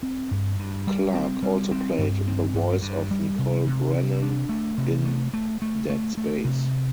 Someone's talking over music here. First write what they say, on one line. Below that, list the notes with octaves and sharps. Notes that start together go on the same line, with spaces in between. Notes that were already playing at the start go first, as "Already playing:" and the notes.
Clarke also played the voice of Nicole Brennan in "Dead Space".
C4
G2
G2
G3
C4
G3
C4
G2
C4
G2
G2
G3
C3
C3
C3
D4
A3
C3
A3
A3
A3
A3
A3
C3